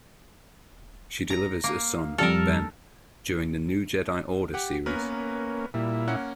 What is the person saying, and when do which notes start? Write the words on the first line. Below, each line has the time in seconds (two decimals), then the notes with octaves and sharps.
She delivers a son, Ben, during "The New Jedi Order" series.
1.30 A#5
1.64 A#3
2.18 F2 G3 A4 A#4 F6
4.54 G4 F#5
4.86 A#3 B3 C#4 A#4 B4
5.74 A#2 G3 E4
6.08 A#3 C#4 F#5